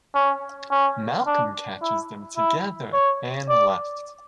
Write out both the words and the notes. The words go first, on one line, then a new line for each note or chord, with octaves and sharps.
Malcolm catches them together and left.
C#4
C#4
D4
E4
E4
C#5
D5